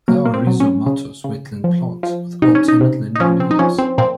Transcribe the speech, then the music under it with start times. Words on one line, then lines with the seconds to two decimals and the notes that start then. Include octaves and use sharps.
They are rhizomatous wetland plants with alternate linear leaves.
0.08 F#3 A#3
0.25 A#3
0.34 C4
0.47 F#3
0.60 C#4
0.86 C#3
1.24 C#3
1.64 F3
2.03 F3
2.42 C3 D#4
2.55 C#4
2.68 D#4
2.81 C3
3.16 D#4
3.20 F3 C#4
3.40 C4
3.51 D#4
3.59 F3 C#4
3.79 C4
3.98 A#2 C4